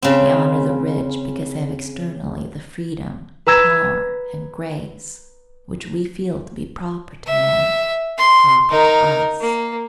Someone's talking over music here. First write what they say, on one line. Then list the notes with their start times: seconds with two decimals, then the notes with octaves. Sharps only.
We honor the rich because they have externally the freedom, power, and grace which we feel to be proper to man, proper to us.
0.02 C#3 C4
3.46 B4 A#5 E6 G#6
7.26 E5
8.17 C6
8.70 D#4 A#4
9.41 A#3